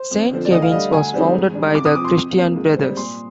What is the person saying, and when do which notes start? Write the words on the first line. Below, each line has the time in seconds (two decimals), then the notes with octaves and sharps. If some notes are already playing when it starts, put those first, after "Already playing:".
Saint Kevin's was founded by the Christian Brothers.
Already playing: C5
0.11 F2
0.31 D3 F3 C4
0.45 D5
0.51 D2 D#5
0.62 F5
0.72 D3 G3 D#5
0.92 D2 G#5
1.13 D3 G3 C4 D#4
1.34 G#2
1.54 G3 D4
1.75 C2 D6
1.85 D#6
1.95 C3 F3 D6
2.05 C6
2.15 F2
2.36 C3 F3 A#3
2.56 G#2
2.76 G3 C4
2.97 A#2 C6